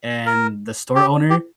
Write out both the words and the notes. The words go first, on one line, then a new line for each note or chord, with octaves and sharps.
and the store owner"
A#4
G4
G4